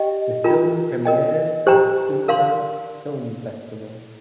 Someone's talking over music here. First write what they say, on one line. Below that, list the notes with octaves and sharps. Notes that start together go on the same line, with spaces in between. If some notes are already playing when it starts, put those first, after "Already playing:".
The film premiered at Sundance Film Festival.
Already playing: G4 D#5 G5
F4 A#4 G5 A#5
A#4 D#5 G5
G4 C5 G5 A#5
A#4 F5 C6